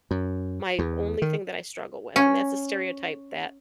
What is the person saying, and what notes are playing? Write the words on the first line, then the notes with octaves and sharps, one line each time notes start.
my only thing that I struggle with, and that's a stereotype that
F#2
E2
D#3
C#4